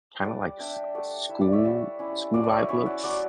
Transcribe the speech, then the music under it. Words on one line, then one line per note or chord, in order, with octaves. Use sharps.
kinda like s school school-vibe looks?
G3 D5 F#5
D4 E5 G5
A3 D5 F#5
E4 E5
D5
C#5 E5
G3 D5 F#5
C#4 E4
F#3 D5 F#5
D5
C#5 E5
C#4 E4 C#5 E5
D5 F#5
F#3 D5 F#5